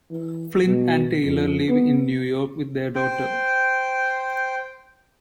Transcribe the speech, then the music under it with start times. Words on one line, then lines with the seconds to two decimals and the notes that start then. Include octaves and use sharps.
Flynn and Taylor live in New York with their daughter.
0.10 E3
0.65 B2
1.24 F2
1.69 B3
2.95 C5 G5